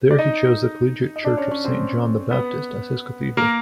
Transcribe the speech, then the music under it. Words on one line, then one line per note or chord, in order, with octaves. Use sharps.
There he chose The Collegiate Church of Saint John the Baptist as his cathedral.
D5
D#4 D#5
D#5
D4 D5
C#4 C#5
C#4 C#5
C4 C5
B3 B4
A#3 A#4